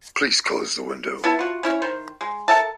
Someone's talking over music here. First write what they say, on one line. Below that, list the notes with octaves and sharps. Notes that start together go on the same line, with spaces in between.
Please close the window.
B3 E4 A5
F4 F#4
C#4 E4 C#5
D#3 C5
G#3
A4 A#4 E5 A5